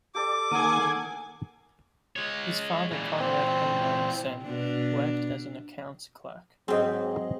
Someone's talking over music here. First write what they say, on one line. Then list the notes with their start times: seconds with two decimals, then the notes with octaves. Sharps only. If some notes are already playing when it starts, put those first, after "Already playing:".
His father Konrad Henlein sen. worked as an accounts clerk.
0.15 G4 A4 D5 D6
0.51 D#3 A#3 G#4 A4 F#5 G#5 D#6 G#6
2.16 G#3 C#5
2.91 A#2 E3
3.19 C4
4.43 B2 D4
6.68 G#2 F#3 C4 G#4 D#5